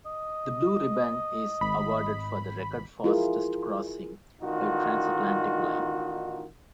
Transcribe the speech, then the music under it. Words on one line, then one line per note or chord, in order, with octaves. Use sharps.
The Blue Riband is awarded for the record fastest crossing by transatlantic liner.
D#5
G#1 B5
E4 F4 G#4 A#4
A1 D#3 D4 D#4 F4 F#4